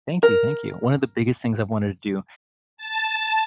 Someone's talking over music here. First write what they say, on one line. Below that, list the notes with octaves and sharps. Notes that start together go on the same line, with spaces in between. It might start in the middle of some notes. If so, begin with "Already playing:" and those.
Thank you, thank you. One of the biggest things I've wanted to do
A#4
A5